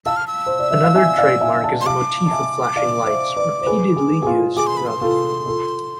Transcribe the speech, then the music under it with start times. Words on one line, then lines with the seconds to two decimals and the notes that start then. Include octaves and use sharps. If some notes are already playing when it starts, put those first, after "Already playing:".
Another trademark is the motif of flashing lights, repeatedly used throughout the film.
0.06 F5 A5 E6
0.17 F6
0.27 E6
0.46 C5
0.59 D5
0.71 E5
0.83 F5
0.95 E5 G#5
1.18 D5 F5
1.41 E5 G#5
1.63 F5 A5
1.81 C6
1.86 F5 A5 D6
2.26 A5
2.31 E5 G#5
2.76 D5 F5
3.06 C5 E5
3.37 B4 D5
3.62 C5
3.66 G#4 B4
3.96 G#4
4.22 G#4
4.27 F4
4.57 G#4 D6
4.67 C6
4.77 B5
4.87 C6
5.01 F4 A4
5.46 F4 A4